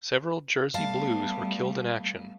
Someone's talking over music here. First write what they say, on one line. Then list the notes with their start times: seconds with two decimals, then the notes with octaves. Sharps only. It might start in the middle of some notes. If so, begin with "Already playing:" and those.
Several Jersey Blues were killed in action.
0.74 G3 A3 B3 F5 A5